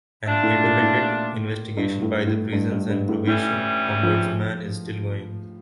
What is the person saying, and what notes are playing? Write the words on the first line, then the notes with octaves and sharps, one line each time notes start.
An independent investigation by the Prisons and Probation Ombudsman is still ongoing.
A3 D4 F4
A2
A#2
A2
G2
A2
A2
G2
G2
G2
A2
A2 E3 G3 C#4
F3